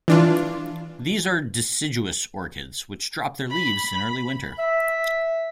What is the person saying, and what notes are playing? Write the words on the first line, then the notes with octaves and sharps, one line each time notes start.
These are deciduous orchids, which drop their leaves in early winter.
E3 D4 F4
B5
E5